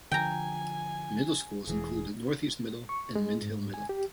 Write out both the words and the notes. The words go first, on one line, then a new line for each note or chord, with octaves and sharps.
Middle schools include Northeast Middle, and Mint Hill Middle.
D3 F3 G5 G#5 A#5
E1 E3 G#4
C#6
G#3
G#2
G#5
G4